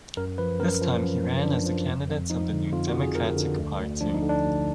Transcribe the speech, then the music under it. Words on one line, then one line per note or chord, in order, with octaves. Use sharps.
This time, he ran as the candidate of the New Democratic Party.
F#2 A#4
F3 B4
F#2 A#4
F3
F#2
F3
F#2 D4
F3
F2
F2
F3 D#4
D3
F2 F4
F#4
F2
G#4
F3 A#4
D3
D2
D2
F3 D4
D#4
D3
D4
D2